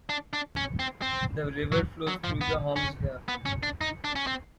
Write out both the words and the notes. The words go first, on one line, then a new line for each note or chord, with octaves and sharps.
The river flows through the Homs Gap.
D4
D4
C#4
C4
C4
F#3
F#3
F3
B3
C#4
B3
C#4
D4
D#4
D4
C#4
C4